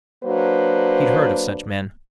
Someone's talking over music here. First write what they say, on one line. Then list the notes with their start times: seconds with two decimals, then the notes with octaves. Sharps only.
He'd heard of such men.
0.24 F#3 A#3 D4 F#4 B4 C5